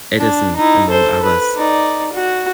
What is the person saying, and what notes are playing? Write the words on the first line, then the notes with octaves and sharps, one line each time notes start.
Eddison, among others.
D4
D#4 E4
A4 C5
B4
D#4 D5
F#4